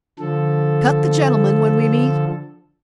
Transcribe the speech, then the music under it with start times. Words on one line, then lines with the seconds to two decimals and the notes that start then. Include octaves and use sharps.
Cut the gentleman when we meet?
0.19 D3 F3 A4